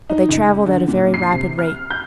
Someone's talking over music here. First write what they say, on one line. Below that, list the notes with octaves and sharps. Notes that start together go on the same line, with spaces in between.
But they travelled at a very rapid rate.
D#4
C#2
D3
A#2
C7
C3
F6
G6